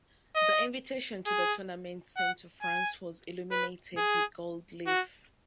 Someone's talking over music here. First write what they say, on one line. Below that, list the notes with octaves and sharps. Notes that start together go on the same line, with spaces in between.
The invitation to the tournament sent to France was illuminated with gold leaf.
D#5
G#4
F#5
G#5
B4
G#4
F#4